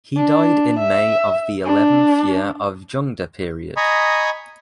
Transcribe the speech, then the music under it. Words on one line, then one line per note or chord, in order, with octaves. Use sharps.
He died in May of the eleventh year of Zhengde period.
D4
E5
D4
D#5 G#5 A#5 B5 C#6 D#6